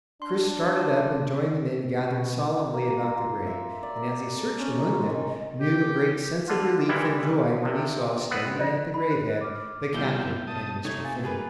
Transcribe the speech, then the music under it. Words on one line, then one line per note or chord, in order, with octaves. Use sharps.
Chris started up and joined the men gathered solemnly about the grave, and as he searched among them, knew a great sense of relief and joy when he saw, standing at the grave head, the Captain and Mr. Finney.
D4 C6
B2
A#3
A#5
F4
C6
E5
D5
A#4
A4
C#4
D#3
G#3
D#3
G4
D3 F4
A#2 E3 G3 G#3 E4
C3 F3
B3 C4 F#5
F4 C5 D5 D#5
B5
C5
D6 F6
B2 G3 E4 F4 G6 G7
A5 D#6
C3 A3 D#4 C#5 G#6
F5 G#5 A6
A#3 G#4 B4